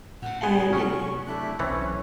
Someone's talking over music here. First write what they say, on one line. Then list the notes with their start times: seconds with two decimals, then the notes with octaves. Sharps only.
and it
0.22 A2 C#3 F#5
0.43 B3 G#4 G#5
0.73 C3 F#3 C#4 C#6
1.26 A3 D4 E4 F#6
1.59 B1 E3 C4 C#4 A4 C#5